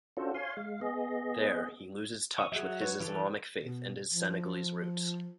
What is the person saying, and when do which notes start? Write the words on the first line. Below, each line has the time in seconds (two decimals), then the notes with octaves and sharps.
There, he loses touch with his Islamic faith and his Senegalese roots.
0.17 C#4 D4 F4 F#4 A4 C5
0.34 C#5 F5 G#5 C6
0.57 G#3 F5
0.81 B3 G#4 D#5
2.38 C#6 D#6
2.52 F#3 F#4 G#4 E5
2.81 B4 C#5
3.00 E3 G4 A4
3.63 B2
4.13 F3